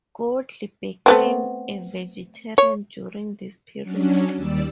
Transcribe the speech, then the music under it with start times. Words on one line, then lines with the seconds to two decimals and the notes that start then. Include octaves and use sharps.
Godley became a vegetarian during this period.
1.06 A3 B3 C4
2.58 C#5
3.82 F#3 C#4 D4
4.36 D#2 G3 D5 E6